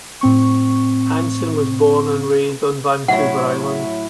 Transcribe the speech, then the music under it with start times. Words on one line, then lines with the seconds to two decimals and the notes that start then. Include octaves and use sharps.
Hansen was born and raised on Vancouver Island.
0.21 A2 C4 C#6
3.08 A2 F#3 E4 F#5